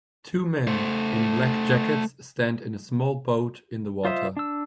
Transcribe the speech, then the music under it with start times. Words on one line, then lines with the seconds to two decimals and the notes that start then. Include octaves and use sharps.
Two men in black jackets stand in a small boat in the water.
0.67 A3 C5
4.05 F4 C5 D#5 E5
4.37 D4 E6